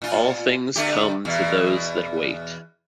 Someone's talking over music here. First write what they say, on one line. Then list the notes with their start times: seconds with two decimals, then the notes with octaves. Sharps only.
All things come to those that wait.
0.02 A#2 F4
0.76 D3 A3 G4
1.25 E2 B2